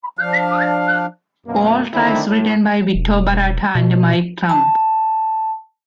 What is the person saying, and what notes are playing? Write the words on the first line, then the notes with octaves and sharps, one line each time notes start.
All tracks written by Vito Bratta and Mike Tramp.
F3 D4 F5
F#2 B2 A#3
D3 D#3 C4 D4 E4
A2
E1
B2
A5